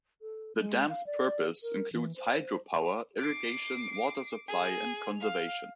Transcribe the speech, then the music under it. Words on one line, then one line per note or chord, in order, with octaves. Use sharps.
The dam's purpose includes hydro-power, irrigation, water supply, and conservation.
A4
G#3
F5
D5
A#4
E3
C5
D6 C7
G#4
F5 F7